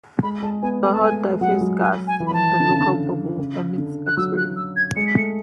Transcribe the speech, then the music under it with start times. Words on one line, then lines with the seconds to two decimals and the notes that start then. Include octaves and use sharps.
The hot diffuse gas in the Local Bubble emits X-rays.
0.23 G#3 B5
0.43 G#3 A5
0.62 B3 G#5
0.82 A3 G#5
0.92 A3 A5
1.01 G#3 G#5
1.41 F#3 F#5
1.51 G#3
1.61 F#3
1.81 F#3 G#5
2.07 G#5
2.20 E3
2.27 B5
2.33 A5
2.60 D3
2.70 C#3
2.80 D3
3.38 C#3
3.78 D3
4.07 F#6
4.17 F#3 E6
4.37 F#6
4.56 E6
4.76 G#6
4.96 G#3 C#7
5.07 B6
5.16 A3 C#7